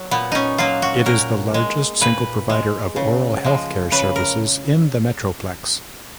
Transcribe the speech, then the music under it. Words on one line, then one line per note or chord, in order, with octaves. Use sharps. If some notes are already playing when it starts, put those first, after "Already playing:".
It is the largest single provider of oral health care services in the Metroplex.
Already playing: F#3
A#2 B3
C#4 D#4
F#3 A#3 F4
F#4
A#2 A#4
G#3
A#2 B4
G#3
C#3
F3 G#3
C#3 B4
A#4